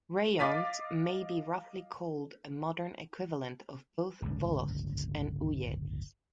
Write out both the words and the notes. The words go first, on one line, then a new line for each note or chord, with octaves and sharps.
Raions may be roughly called a modern equivalent of both volosts and uyezds.
D#5 F5 D6 A6 B6 D#7
D1 G1 C#2